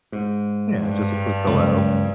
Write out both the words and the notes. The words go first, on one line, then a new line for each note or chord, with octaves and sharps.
Yeah, just a quick "hello".
G#2
G2
F#1 C#2